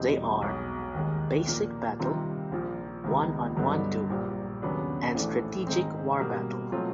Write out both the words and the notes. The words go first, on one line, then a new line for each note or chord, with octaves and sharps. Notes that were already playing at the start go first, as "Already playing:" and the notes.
They are: 'Basic Battle', 'One-on-one Duel' and 'Strategic War Battle'.
Already playing: E2 B2 G3 C4 D#4
B1 B2 G#3
D#2 D#3 G#3
A#2 F3 A#3
C3 D#3 G3 C4 F4
A#1 A#2 F3
C#2 C3 D#3 G#3 B3
G2 D3 F#3 B3 D#4
A#1 A#2 G3
D#2 C#3 F#3 B3 D4
A#1 A2 E3 A3 D4
G#2 D#3 G#3 C4
B2 G3 A#3
B2 F#3 A3 C4 F4